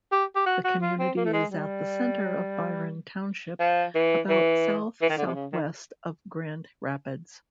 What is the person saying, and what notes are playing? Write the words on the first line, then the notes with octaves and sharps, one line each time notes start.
The community is at the center of Byron Township, about south-southwest of Grand Rapids.
G4
G4
F#4
F#4
F4
C4
A#3
A3
G#3
G3
F3
E3
E3
E3
D#3
D3
C3
C#3
D#3